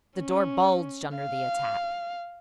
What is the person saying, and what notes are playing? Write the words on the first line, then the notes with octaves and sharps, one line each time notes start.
The door bulged under the attack.
C#4
F5